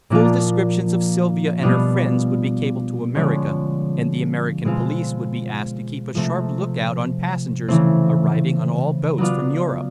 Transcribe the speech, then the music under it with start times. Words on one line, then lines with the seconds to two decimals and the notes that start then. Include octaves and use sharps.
Full descriptions of Sylvia and her friends would be cabled to America, and the American police would be asked to keep a sharp look-out on passengers arriving on all boats from Europe.
0.10 A#2 F3 A#3 D4 F4
1.63 B2 G3 B3 D4 F4
3.15 D3 F3 G#3 C#4
4.65 B2 G#3 C4 F4
6.15 C3 F3 A3 C4
7.68 C#3 E3 A3 C4
9.18 F#3 B3 D4 F4